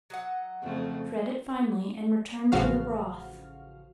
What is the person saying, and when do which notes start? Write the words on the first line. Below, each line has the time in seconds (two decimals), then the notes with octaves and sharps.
Shred it finely and return to the broth.
0.10 F#3 D#5 F#5
0.63 F2 C#3 A3
2.52 A1 C#3 F3 F#4 F5 F6